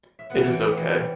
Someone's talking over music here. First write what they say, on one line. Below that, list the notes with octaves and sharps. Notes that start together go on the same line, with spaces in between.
It is okay...
E5
B3 F#5
E3
G5
B3
E3
G3